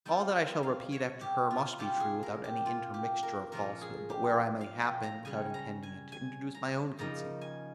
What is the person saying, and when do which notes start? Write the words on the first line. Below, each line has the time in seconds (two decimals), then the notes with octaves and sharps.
All that I shall repeat after her, must be true, without any intermixture of falsehood, but where I may happen, without intending it, to introduce my own conceits.
0.06 G3 C4 F4 G5
0.63 F5
0.92 C#5
1.21 G4
1.51 F4
1.78 C3 G3 C#4 F4 G4
2.00 G#4
2.23 A#4
2.44 G4
2.66 F4
2.94 G4
3.23 A#4
3.52 A#2 F3 A#3 C#4 F4 A#4
3.81 G#4
4.10 G4
4.61 F5
4.82 G5
5.03 A#5
5.25 C#3 G3 C#4 G#5
5.54 A#5
5.83 G#5
6.12 G#5
6.55 A#5
6.99 C#3 F3 A#3 D#4 A#5
7.41 G#5